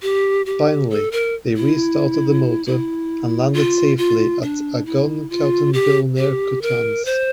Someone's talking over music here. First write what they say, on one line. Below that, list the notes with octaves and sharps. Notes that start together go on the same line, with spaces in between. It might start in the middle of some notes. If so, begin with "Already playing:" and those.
Finally, they restarted the motor and landed safely at Agon-Coutainville near Coutances.
G4
G4
A4
A#4
E4
E4
F4
F4
D4
E4
F4
G4
G4
A#4
C5